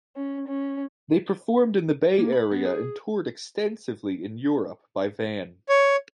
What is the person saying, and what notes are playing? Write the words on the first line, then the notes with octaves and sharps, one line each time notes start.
They performed in the Bay Area and toured extensively in Europe by van.
C#4
C#4
A#3
B5
B3
G#4
C#5